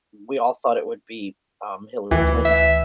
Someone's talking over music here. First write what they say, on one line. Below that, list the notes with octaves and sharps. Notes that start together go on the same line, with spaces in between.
we all thought it would be, um, Hillary Clinton.
D2 E3
E5